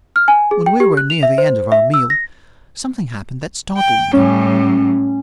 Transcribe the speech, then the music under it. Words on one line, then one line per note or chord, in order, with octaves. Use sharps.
When we were near the end of our meal, something happened that startled me.
F6
G#5
G#4
G5
G4
F#6
F7
E5
C5
E5
E6
A#6
G5
A2 G3 C#4